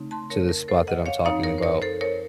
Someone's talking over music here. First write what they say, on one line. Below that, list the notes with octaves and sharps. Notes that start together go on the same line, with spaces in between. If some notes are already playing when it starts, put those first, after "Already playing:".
to the spot that I'm talking about.
Already playing: C#3 A3 C4 D#4
A5 C6
A#4 C#5
A#4
A4 C5
D#5 F#5
C#5 F5
F#2 F3 C4 D#4 C#5 F5
A#4 C#5
C5
A#4 C#5
A4 C5
A#4 C#5